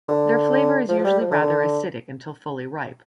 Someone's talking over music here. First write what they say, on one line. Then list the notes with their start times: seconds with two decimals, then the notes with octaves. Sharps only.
Their flavour is usually rather acidic until fully ripe.
0.09 D3
0.89 F3
0.99 F3
1.04 G3
1.20 F3
1.31 D3
1.42 D3